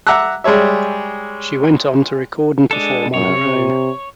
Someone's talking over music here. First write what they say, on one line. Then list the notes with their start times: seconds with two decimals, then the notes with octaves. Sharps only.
She went on to record and perform on her own.
0.07 E5 F#5 A#5 D6 E6 F#6
0.44 G3 G#3 G#4 C#5 E5
2.71 G#3 D4 A4
3.14 F#2 C#5
3.45 C3